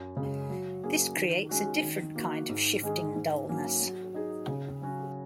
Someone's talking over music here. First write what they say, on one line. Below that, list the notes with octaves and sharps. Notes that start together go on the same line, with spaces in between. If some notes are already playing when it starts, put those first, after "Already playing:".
This creates a different kind of shifting dullness.
Already playing: F#2
C#3 G#3
F#3
A#3 C#4 G#4
D#3
G#3 C#4 F#4
D#3
A#3 F#4
G#2
D#3 G#3 D#4 G#4
G#2
F#3 A#3 C#4
F#3
D#4 G#4
C#3
F#3 C#4 F#4